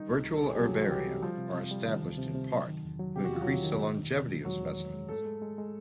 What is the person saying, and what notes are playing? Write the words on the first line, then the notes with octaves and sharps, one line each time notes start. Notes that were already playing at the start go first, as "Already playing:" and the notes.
Virtual herbaria are established in part to increase the longevity of specimens.
Already playing: D#3 G3 D#4
C2
C2
A4
C2 G#4
G4
C3 F#3 F#4
E3
F#4
C2 G3 G4
C3
F3 G3 F4
C3
C3
G3
D#3
D2
C3
C3
F#3
D#3
E2
F#3
C3 G4
F#4
E2 F4
F#3 F#4
D#3
D#3
B2
E2
B2
G#3
E2 F#3 F#4
E2
E2
G#3
G#2 A3 A4
G#3
G#3
G#3